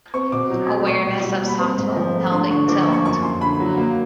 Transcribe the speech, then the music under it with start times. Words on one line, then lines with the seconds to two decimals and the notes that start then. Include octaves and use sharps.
Awareness of subtle pelvic tilt.
0.14 C4 C#6
0.32 B2 D6
0.50 F#3
0.69 A3
0.87 B2 C#6
1.04 B2
1.23 G3
1.42 A#3
1.48 B5
1.59 C4 C6
1.77 G#2
1.96 F3
2.14 A3
2.32 D4 C6
2.50 D3 C#6
2.68 F3 D6
2.81 C#6
2.86 A#3
2.93 C#6
3.05 F#2 C#6
3.23 F#2 C6
3.41 D3 B5
3.60 F#3
3.77 A#3